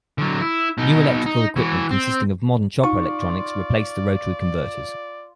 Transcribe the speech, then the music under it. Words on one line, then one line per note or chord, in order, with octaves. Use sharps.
New electrical equipment consisting of modern chopper electronics replaced the rotary converters.
D3 F#3
E4
B2 D#4
D#4
E3 F#4
C4
D#4 F4 D5 C#6